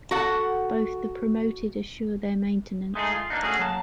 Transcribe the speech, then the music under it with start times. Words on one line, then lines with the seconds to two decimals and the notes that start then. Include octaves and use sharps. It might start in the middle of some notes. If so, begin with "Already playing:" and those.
Both the promoted assure their maintenance.
0.11 F#4 A4 F#5
2.95 G#3 A3 D#4 F#4 G#4
3.12 F4
3.30 A#3 C4 D4 D#4
3.43 A3 C#4 F#4 G#4
3.59 F#3 A#3 A5